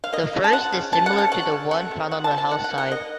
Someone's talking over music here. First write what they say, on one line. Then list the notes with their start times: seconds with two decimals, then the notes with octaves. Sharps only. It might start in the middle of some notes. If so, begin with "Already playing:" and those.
The first is similar to the one found on the House side.
0.04 F5
0.13 A#3 D#5
0.33 C#3
0.44 A5
0.52 F3 F#5
0.72 C#3
0.93 A#3 A5
1.06 F#5
1.13 C#3
1.18 A5
1.32 F#3 F#5
1.52 C#3
1.71 A3 F#5
1.91 C3
2.11 F3 F#5
2.24 A5
2.31 C3
2.38 A5
2.51 D#3 F#5
2.64 F#5
2.70 A#3
2.78 F#5
2.91 A#3 D#5